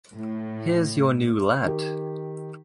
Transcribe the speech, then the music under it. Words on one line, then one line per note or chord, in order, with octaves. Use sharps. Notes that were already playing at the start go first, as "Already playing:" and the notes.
Here’s your new lad.
A2
D#3 G4